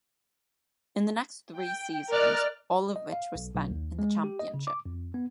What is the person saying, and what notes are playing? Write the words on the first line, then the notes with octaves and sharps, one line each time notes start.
In the next three seasons, all of which were spent in the Championship.
G5
A#4 D5 D#5 F6 F#6
D#5
F5
B1
B1
D#2
G#3
G4
D#5
C#3
D6
F2
B3